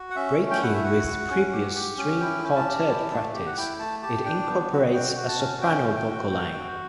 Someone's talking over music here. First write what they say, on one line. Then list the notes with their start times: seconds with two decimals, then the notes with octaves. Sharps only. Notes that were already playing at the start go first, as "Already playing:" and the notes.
Breaking with previous string-quartet practice, it incorporates a soprano vocal line.
Already playing: F#4
0.10 F#5
0.16 C#4 E5
0.38 A3
0.50 G5
0.62 E4 F#5
0.73 E5
0.83 F#4 F#5
1.07 F#4
1.30 C#4
1.52 G4
1.75 G4
1.97 C#4
2.20 E4 G5
2.44 C#4
2.55 A5
2.67 G4
2.89 E4
3.12 A3
3.34 G4
3.46 F#5
3.57 E4 G5
3.79 A3 A5
4.03 G4 A5
4.25 D4 G5
4.48 B3
4.71 F#4
4.93 F#4 G5
5.16 F#4
5.28 A5
5.38 C#4
5.61 C#4 G5
5.85 A3
5.96 G5
6.08 F#4
6.30 F#4
6.53 F#4